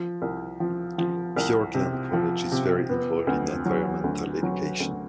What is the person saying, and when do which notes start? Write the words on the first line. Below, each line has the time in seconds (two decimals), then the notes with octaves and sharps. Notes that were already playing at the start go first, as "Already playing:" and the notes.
Fiordland College is very involved in environmental education.
Already playing: F3
0.22 C2
0.60 F3
0.98 F3
1.36 C2
1.74 C3
2.13 F3
2.52 C3
2.89 B3
3.27 D2
3.65 F#3
4.04 D2
4.43 F#3
4.80 D2